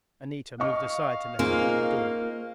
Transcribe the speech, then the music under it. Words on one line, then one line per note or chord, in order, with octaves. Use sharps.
Anita moved aside to let him through the door.
D#5 F5 C#6
A#3 C4 D#4 F4 G#4